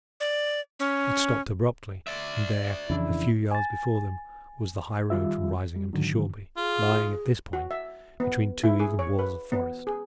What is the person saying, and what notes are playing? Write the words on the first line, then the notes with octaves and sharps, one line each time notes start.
It stopped abruptly; and there, a few yards before them, was the high road from Risingham to Shoreby, lying, at this point, between two even walls of forest.
D5
C#4
D5 E5
F2 C#3 E3 D4 E4
G#5 A6
D#3 G3 F4 E5
G3
G#2 D3 D#3 F#3
F4 G#4
F#4
E5
B3
E4
G#4
C#5
B4
B3
G#4